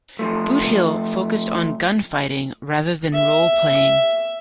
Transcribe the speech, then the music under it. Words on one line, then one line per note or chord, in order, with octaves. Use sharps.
"Boot Hill" focused on gunfighting rather than role-playing.
F3 A3
E5